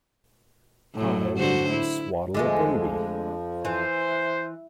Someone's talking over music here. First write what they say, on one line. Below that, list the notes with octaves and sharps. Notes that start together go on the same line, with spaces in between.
I learned how to swaddle a baby.
A2 F#3
D3 F#4 C5
E4
F2 D3 F3 G#3 A3
E3 C5